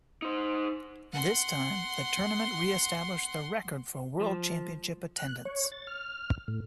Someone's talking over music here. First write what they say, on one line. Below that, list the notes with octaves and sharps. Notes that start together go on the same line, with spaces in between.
This time, the tournament re-established the record for World Championship attendance.
D#4 C5
F#5 C6
F3
F#6
C#5
A6
F6
A2